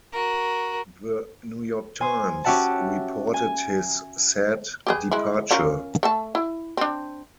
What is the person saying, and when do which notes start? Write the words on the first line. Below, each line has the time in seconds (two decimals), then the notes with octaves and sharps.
"The New York Times" reported his sad departure.
0.13 F#4 A#4
2.01 C5 G#5
2.44 C#4 F#4 G4 E5 F#5 A5
3.34 G#5
4.87 G4 G#4 B4
5.11 G#3 E4 B5
5.51 C#4 F4 A#4
6.03 A3 A4 A5
6.35 E4
6.77 C4 D4